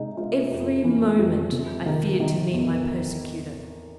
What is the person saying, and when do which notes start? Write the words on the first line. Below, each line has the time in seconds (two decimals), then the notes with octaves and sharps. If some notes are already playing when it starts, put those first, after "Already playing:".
Every moment I feared to meet my persecutor.
Already playing: C3 G#3 D#4
0.17 G#3 F4
0.51 F2
0.84 E3
1.19 F2
1.52 C3
1.86 D#3
2.20 D#3
2.53 E2